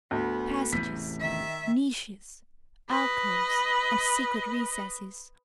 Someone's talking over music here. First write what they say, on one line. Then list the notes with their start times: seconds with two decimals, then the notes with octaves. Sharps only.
Passages, niches, alcoves, and secret recesses.
0.11 D2 B3
0.73 A1 E2 C3 B6
1.20 D#3 E5
2.89 B4 D#5